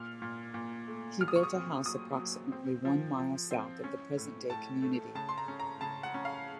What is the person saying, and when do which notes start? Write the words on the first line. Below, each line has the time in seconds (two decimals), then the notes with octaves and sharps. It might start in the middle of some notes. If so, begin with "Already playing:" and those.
He built a house approximately one mile south of the present-day community.
Already playing: A#2 F6
0.22 A#2
0.54 A#2
0.88 A3
1.21 F#3 F6
1.28 D#6
1.36 C#6
1.43 D#6
1.53 C4
1.86 F#3 D#6
2.19 F#3
2.52 C4
2.85 F3
3.18 F3
3.51 C4
3.84 C#4
4.17 A2
4.50 A2 A5
4.82 A3
5.15 C#3 A5
5.29 C6
5.38 A#5
5.48 C#4
5.60 A#5
5.81 C#3 A5
6.03 F#5
6.14 C#4
6.25 F5